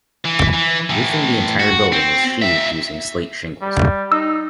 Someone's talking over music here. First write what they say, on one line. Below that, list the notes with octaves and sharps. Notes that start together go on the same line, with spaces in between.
Roofing of the entire building is sheathed using slate shingles.
E3
E3
A2 E3
F#4
C4
A#2 E5
G3
D#4 E6